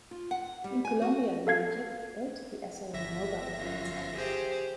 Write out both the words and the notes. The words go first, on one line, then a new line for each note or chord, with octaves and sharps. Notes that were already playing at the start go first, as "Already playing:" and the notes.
In Colombia and Egypt, both the Esso and Mobil brands are used.
F4
F#5
G3
G#5
F#4
A4 F5 G#6 C7
G1 E5 A#6
F#2 F4
G4 G#4 C5